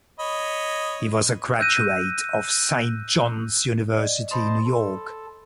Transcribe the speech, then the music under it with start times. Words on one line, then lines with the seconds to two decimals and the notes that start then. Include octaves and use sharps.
He was a graduate of Saint John's University, New York.
0.20 C#5 D#5 B5
1.60 E6 F#6 G6 A#6 D#7
3.97 D5 D#5
4.31 C5 D#5 A5 B5 C6
4.65 A4